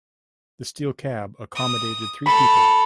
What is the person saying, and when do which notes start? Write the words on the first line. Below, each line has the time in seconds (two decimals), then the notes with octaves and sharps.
The steel cab accommodated three people.
1.55 D#6
2.26 A4 B5